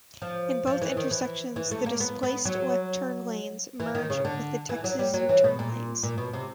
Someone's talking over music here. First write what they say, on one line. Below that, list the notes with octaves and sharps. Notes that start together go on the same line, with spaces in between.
In both intersections, the displaced left turn lanes merge with the Texas U-turn lanes.
F3
F3
E3
D#3
E3
E3
A3
A#3
B3
B3
F#3
E3
D#3
C#3
D3
E3
F#3
G3
F#3
E3
B2
A#2
A#2
B2
C3